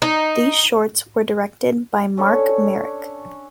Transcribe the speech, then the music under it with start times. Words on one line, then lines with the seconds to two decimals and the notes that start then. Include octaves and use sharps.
These shorts were directed by Mark Marek.
0.02 D#4
2.17 C#4 D4 A4 C#5